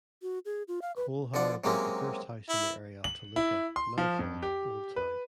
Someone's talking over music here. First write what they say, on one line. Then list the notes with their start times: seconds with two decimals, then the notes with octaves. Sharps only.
Colehower built the first house in the area of Toluca now called Old Town.
0.22 F#4
0.45 G#4
0.68 F4
0.82 F5
0.96 B4
1.34 D3 F3 D4 F#5
1.64 C3 F#3 G#3 A#3 C4 C#4
2.49 E4
3.04 F#7
3.36 E4
3.76 C6
3.98 F3
4.19 F2
4.42 G4
4.96 B4